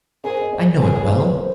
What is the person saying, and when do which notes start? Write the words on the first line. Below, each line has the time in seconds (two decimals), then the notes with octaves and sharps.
I know it well.
0.24 G#4 A#4 C5
0.41 D#5
0.53 C5 D5
0.69 C5
0.81 G#4 B4 C#5
0.95 B4 C#5
1.09 C5 D5
1.23 B4 C#5
1.37 A#4 C5